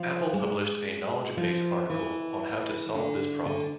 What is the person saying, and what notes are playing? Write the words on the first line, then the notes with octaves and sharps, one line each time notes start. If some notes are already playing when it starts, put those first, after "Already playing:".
Apple published a knowledge base article on how to solve this problem.
Already playing: F3
G#3
F3
E3
D3
D3